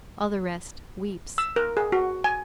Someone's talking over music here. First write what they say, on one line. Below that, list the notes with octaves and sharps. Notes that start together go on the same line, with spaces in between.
All the rest weeps.
E6
A#4
G#4
F#4
G#5